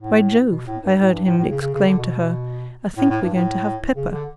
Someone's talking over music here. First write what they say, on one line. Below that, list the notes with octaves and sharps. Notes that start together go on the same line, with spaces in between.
'By Jove!' I heard him exclaim to her, 'I think we're going to have pepper.
A2
B2
A2
G2
A2
G2
A2
A2
C#3
C#3
C#3
D3
B2
A2
A2
G2
A2
C#3
D3